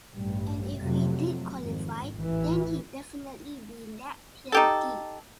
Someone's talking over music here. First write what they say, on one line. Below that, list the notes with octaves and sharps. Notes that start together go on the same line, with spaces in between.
And if he did qualify, then he'd definitely be lapped plenty.
A1 G2 G3
F2 C3 F#3 A3
G#1 F2
A1 E3
D#4 G4 A4